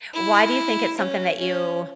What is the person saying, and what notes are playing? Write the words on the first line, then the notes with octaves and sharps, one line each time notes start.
Why do you think it's something that you
E4
C#4
C#4